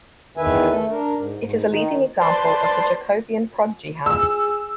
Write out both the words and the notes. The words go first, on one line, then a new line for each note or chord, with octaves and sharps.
It is a leading example of the Jacobean prodigy house.
E2 D#3 B4 E5 G#5
A3 A4
D4 A#4
G#2
G#2
D#3 D#4
B4 C5 D5 A5 C6
G#4 E6